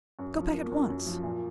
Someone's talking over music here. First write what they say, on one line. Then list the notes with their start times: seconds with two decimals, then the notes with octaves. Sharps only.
Go back at once!
0.19 F#2
0.36 F3
0.54 A#3
0.71 F#2
0.89 F#2
1.06 F3
1.24 A#2